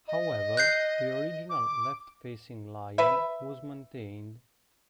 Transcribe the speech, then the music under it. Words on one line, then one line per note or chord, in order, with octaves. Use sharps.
However, the original left-facing lion was maintained.
D#5
F#6 G6 C7
D6
B4 E5